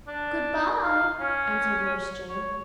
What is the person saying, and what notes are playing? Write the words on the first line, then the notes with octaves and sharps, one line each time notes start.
"Good-bye!" answered Nurse Jane.
D4
F5
C#4
C#5